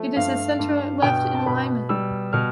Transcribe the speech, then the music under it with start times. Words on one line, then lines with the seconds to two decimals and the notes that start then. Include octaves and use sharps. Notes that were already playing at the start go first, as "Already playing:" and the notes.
It is centre-left in alignment.
Already playing: F3 A3
0.16 G2 F5
0.59 G2
1.02 B2 G5
1.35 A5
1.46 B2 B5
1.89 G3 E6
2.33 B2 F6